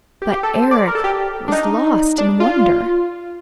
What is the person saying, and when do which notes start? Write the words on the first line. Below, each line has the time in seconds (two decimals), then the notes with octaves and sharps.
But Eric was lost in wonder.
0.22 G4
0.32 G4
0.43 A4
0.55 C5
0.71 D5
0.88 A#4
0.95 A4
1.04 G4
1.48 D4
1.52 D#4
2.18 D4
2.40 F4